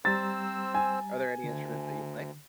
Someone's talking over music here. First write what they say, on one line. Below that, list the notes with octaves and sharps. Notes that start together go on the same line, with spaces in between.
Are there any instruments that you play?
G3 C4 C5 A#5 E6 A6
G#5
D2 D3